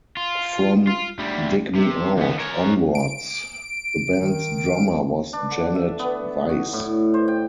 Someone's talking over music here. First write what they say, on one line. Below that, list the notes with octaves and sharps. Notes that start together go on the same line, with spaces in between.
From "Dig Me Out" onwards, the band's drummer was Janet Weiss.
F4
F4
D2 G3
C3
D#2 B3
A#4 C#5
D7
D#3
D4
D3
E5
B3
F#4
A2
C5
G5